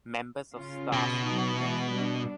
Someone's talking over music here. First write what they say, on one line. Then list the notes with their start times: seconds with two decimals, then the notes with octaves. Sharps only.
Members of staff were evacuated.
0.54 C#3 C#4 F4
0.93 B2
1.23 F#3 D#4
1.56 E3 G#3
1.93 G3 D4